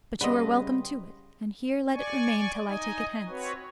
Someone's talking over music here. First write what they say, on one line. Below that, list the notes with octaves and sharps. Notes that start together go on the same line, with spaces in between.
But you are welcome to it; and here let it remain till I take it hence.
C#3 G3 B4 D#5 F#5 C6
D5 G#5 C#6
D#4 D#5 G#5
C4 F#4 B4 C#5